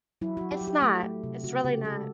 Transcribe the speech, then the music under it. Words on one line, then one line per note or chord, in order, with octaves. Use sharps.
It's not. It's really not.
F#3 E4
F#3 F#4
G4
F#3
G4
A3
A3
C3
C#3 F#4
C#3 G4
G#3 A4